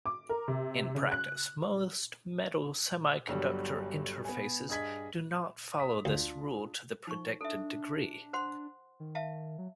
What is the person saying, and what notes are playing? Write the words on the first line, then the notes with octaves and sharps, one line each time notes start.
In practice, most metal-semiconductor interfaces do not follow this rule to the predicted degree.
D6
A#4
C3
C#3
F#6
G1 F#3 G3
B3 G#5
G2 G#4 D#5 G#6 B6
D#6 B6
D2 D4 F4
F3 D#4 C#6
D4 A4 E5
C5 F#5 C6
D#3
E5 F5 A5
F#3